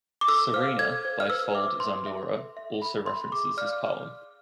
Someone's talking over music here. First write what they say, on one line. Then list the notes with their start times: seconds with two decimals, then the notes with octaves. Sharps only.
"Serena" by Fold Zandura also references this poem.
0.21 D6
0.28 A4 E6
0.53 C5 F5 F6
0.79 A4 G#6
1.05 C5 F5
1.20 F6
1.30 B4 E6
1.55 E5 D6
1.80 B4 C6
2.06 E5
2.31 A4
2.57 E5
2.82 A4 B5
3.06 E5 C6
3.32 G#4 D6
3.57 D5 F5 F6